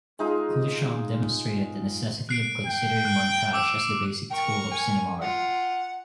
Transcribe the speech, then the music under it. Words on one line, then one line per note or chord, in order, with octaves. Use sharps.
Kuleshov demonstrated the necessity of considering montage as the basic tool of cinema art.
G#3 D#4 F4 F5
F#6 C7 D7
G5
F#6
D6 E6 D7
A#4 G5 C#6
G#5
F4 F#5